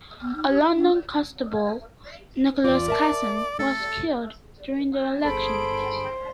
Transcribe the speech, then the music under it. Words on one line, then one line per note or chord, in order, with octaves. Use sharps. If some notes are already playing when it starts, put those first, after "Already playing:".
A London constable, Nicholas Casson, was killed during the election.
B3
D#4
G4
E4
D4
E2 F4 D5
A#4 E5 A5
A3 A4
G1 G#4 A4 C5 B5 D7